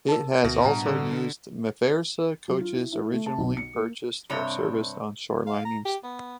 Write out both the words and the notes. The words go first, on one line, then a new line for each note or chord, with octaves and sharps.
It has also used Mafersa coaches originally purchased for service on Shore Line East.
D#4 A#4
D2 B2 E5
A2 G3 D4 F#5 A#5
D3
F#3
F4
E4
E4
A3
A5
B1
C#7
A#3
G2 C3 C4 C#5
F5
A#5
G4
B3